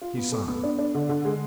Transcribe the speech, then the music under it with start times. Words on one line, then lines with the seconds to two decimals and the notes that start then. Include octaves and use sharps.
He signed.
0.01 F4
0.17 B3
0.32 A4
0.48 B3
0.63 D4
0.79 D4
0.94 D3
1.09 D3
1.25 G#3